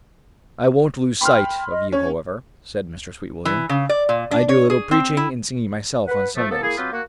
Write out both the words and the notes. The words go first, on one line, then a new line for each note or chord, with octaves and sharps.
"I won't lose sight of you, however," said Mr. Sweetwilliam, "I do a little preaching and singing myself on Sundays."
G5 B5 C6 F6
D#5
C#4 C#5
E3
C#3
D5
A#2
D4
C#5
G#4
C4
E4
B4 F#5
F3 A3
A#3 B3 A4
A#3 E4 G#4
F#3 C4 F4 G4 B4
A#3 F#4